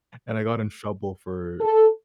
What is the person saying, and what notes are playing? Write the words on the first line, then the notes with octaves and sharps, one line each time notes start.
And I got in trouble for
A4